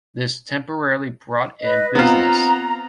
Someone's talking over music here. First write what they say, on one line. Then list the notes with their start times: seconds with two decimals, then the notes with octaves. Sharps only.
This temporarily brought in business.
1.60 B4 D#5
1.95 B3 C4 F4 A#5